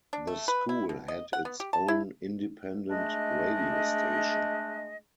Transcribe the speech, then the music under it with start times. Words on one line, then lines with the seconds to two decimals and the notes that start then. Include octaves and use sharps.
The school had its own independent radio station.
0.13 D4
0.27 A3
0.48 B4
0.69 E4
0.89 B2
1.08 D#5
1.33 F#5
1.45 B3
1.60 G4
1.73 A5
1.88 E4
2.90 G#3 A3 D4 D#5